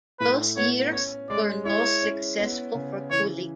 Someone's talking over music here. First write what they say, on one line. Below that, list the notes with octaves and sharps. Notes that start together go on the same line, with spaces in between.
Those years were most successful for Kulig.
A2 B4
B3 C#5
C#4 C#5
G#3 D5
E4 C#5
C#4
B3
C#3
E3 C#5